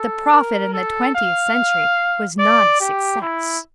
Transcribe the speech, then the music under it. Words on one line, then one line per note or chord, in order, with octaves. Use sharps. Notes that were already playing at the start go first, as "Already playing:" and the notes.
The Prophet in the twentieth century was not a success.
Already playing: A4
A#4
A4
F5
D5
G4
E4